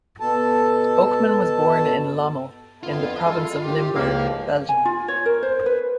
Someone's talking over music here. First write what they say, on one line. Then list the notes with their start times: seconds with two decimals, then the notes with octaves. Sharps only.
Oakman was born in Lommel, in the province of Limburg, Belgium.
0.20 B2 A4 A5
2.83 F2 D3 B3 E4 F4
3.21 F#2 G#3 A4
3.63 A2 D#3 G4
3.96 C#2 A#3 C5 F5
4.69 G#5
4.85 F4
5.08 C#5
5.26 A#4
5.43 C5
5.66 B4